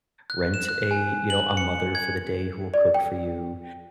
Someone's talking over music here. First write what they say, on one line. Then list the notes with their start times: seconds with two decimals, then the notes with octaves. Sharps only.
rent-a you know, a-mother-for-the-day-who-will-cook-for-you,
0.30 F#6
0.54 E7
0.69 F#6
0.91 G#5
1.30 F#7
1.57 C#7
1.95 G#6
2.74 D5
2.94 G5